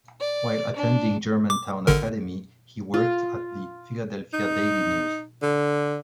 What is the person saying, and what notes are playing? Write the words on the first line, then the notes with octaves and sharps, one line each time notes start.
While attending Germantown Academy, he worked at the "Philadelphia Daily News".
D5
D4
D6
G#1 D3 A#4
F4
D#4
D3